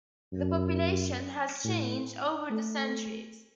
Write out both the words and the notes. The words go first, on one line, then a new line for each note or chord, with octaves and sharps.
The population has changed over the centuries.
F#2
A2
A3